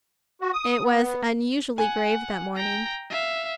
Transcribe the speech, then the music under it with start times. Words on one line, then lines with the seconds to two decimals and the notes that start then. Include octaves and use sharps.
It was unusually grave that morning.
0.41 F#4
0.53 D#6
0.83 B3
1.78 F#5 G#5
2.56 G5 A#5
3.10 E5 F5